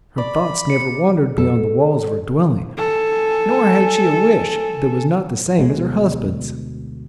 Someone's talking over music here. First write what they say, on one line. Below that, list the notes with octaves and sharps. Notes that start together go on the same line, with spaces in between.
Her thoughts never wandered beyond the walls of her dwelling, nor had she a wish that was not the same as her husband's.
D5 B5
C#7
A4
A4 G#5
D2 B2 G#3